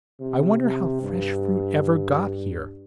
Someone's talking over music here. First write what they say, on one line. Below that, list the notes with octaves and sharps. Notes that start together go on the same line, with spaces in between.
I wonder how fresh fruit ever got here.
C3
C3
G2